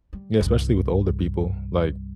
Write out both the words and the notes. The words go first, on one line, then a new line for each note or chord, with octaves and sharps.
Yeah, especially with older people. Like,
G3
C2 G2